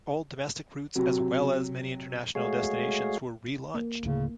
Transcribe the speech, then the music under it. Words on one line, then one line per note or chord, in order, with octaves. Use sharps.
Old domestic routes as well as many international destinations were relaunched.
C3 F#3
G#3 A3 F#4 G#4 C#5 F5
A#3
D1 D2 A2 C#3